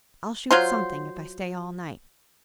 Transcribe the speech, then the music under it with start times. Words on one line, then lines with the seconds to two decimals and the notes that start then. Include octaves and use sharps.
I'll shoot something, if I stay all night.
0.51 F#3 F4 C5